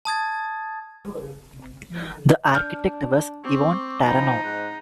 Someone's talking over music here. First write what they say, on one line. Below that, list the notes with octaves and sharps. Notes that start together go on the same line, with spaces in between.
The architect was Ivan Taranov.
A5 D#6 G#6 A6
D4 F6 G6
C4 C#6 D6
F3 D#4 G5 A#5 B5
G#2 F#6